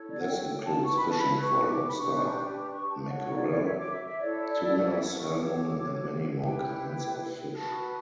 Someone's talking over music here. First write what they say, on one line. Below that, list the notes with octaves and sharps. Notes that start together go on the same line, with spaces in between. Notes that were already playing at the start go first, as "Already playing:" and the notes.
This includes fishing for lobster, mackerel, tuna, salmon and many more kinds of fish.
Already playing: E4 A4 C#5
D5
F#5
G5
G5
A5
E4 B4 C#6
B5
A5
B5
C#6
D6
B5
D4 G4 B4 C#6
D6
C#6
A5
F#4 C#5 F#5
F#5
D5
D5
E5
D6
E5
E5
E4 A4 C#5 D5
C#5
D5
D5
D5
E5
F#5
C#6
F#4 A4 C#5 D6
E4 G4 B4 G5
F#4 B4 A5